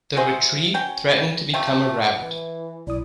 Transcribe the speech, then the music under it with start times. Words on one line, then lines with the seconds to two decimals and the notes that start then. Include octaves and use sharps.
The retreat threatened to become a rout.
0.16 F#4 G#4 C5 E5
0.74 F#3 C#4 G5
1.53 C3 A3 F4 G4
2.20 E3
2.87 B1 E4 D5 D#6